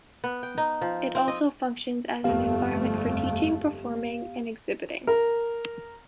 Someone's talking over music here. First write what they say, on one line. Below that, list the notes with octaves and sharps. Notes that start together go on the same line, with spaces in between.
It also functions as an environment for teaching, performing, and exhibiting.
B3
G5
D#4
F3
C4
D#5
G1 F2 A3 B3 G4 F5
A#4